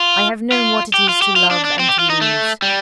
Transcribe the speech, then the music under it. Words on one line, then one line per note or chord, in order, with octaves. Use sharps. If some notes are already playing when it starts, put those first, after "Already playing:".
I have known what it is to love and to lose.
Already playing: F4
F4
G4
F4
G4
F4
D4
D4
C4
G4
F4
D#4
A3
G3